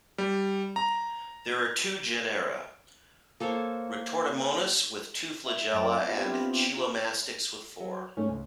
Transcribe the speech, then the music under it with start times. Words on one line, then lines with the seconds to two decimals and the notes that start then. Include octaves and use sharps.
There are two genera: "Retortamonas" with two flagella, and "Chilomastix" with four.
0.18 G3
0.76 A#5
3.40 A#3 A4 C5 C#5
5.45 E5
5.69 F#2 E4 D#5 G5 A6 D7
6.02 B3 C4 D4 E4 F4 G4
6.75 F4 D7 E7
7.80 F#3
8.17 G#2 A3 C#4
8.29 C#2